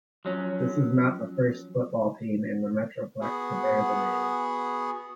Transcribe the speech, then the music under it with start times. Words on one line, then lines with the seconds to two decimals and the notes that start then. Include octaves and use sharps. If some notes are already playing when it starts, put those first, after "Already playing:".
This is not the first football team in the Metroplex to bear the name.
0.25 F3 F#3 C#4
3.21 B3 F#4 G#4